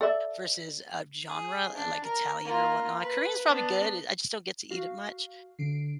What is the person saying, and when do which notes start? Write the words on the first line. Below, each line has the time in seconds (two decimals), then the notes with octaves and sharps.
versus a genre, like, Italian or whatnot. Korean is probably good, I just don't get to eat it much.
0.01 A4 D5 E5
1.28 G#4
1.75 D4
2.04 A#4
2.45 A#3 F4
2.99 B4
3.48 B3 D4
4.70 F#4 F5
5.59 D3 C7 D7